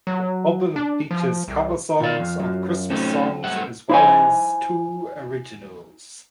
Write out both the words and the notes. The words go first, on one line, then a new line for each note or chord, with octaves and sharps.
The album features cover songs of Christmas songs as well as two originals.
F#3
D4
F3
C2
B2 F4 D5 F5
F2
F#2 F#3
A3 C4 C#4 D#4
G2 A3 F#5
E4 C5 G#5